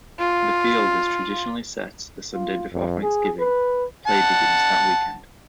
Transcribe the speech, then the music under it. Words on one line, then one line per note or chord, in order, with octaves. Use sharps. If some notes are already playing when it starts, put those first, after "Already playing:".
The field is traditionally set the Sunday before Thanksgiving and play begins that weekend.
F4
F4
F2
G#4
B4
F#5 A5